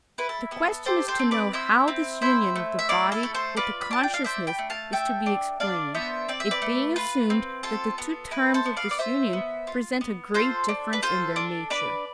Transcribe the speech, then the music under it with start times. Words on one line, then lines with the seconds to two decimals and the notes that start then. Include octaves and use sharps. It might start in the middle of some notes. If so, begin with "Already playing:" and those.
The question is to know how this union of the body with the consciousness is to be explained, it being assumed that the two terms of this union present a great difference in their nature.
0.18 E4 B4
0.29 A4
0.51 B3 A4
0.86 G4 A4 C5
1.08 A4 C5
1.19 C4
1.31 B4 D5
1.53 E4 C5 E5
1.88 C4
2.22 E4 C5 E5
2.56 A3
2.79 E5
2.89 E4 D5 F5
3.12 A4
3.23 A3
3.35 A4 C5
3.57 F4 B4 D5
3.81 B5
3.91 D4 A5
4.03 G5
4.14 F5
4.24 D4 C5 E5
4.47 G5 B5
4.59 A3
4.70 F5 A5
4.93 A4 E5 G5
5.26 D4
5.60 D4 D5 F5
5.94 B3 C5 E5
6.29 C4 D5
6.40 E5
6.51 B4 D5
6.62 A3
6.96 F4 B4
7.30 C4
7.63 F4 A4
7.98 B3
8.31 E4 B4
8.54 A4 C5
8.66 B3
8.76 D5 F5
8.91 D5
8.99 F4 C5 E5
9.33 B3
9.67 F4
10.01 B3
10.34 F4 A4 C5
10.69 D4
10.93 B4
11.03 F4 A4 C5
11.36 D4
11.70 D4 B4 D5